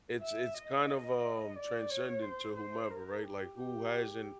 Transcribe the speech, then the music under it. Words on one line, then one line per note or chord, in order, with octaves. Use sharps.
it's it's kind of, um, transcendent to whomever, right? Like, who hasn't
E5
D#5
D5
C#5
C5
C5
A#4
G4
G4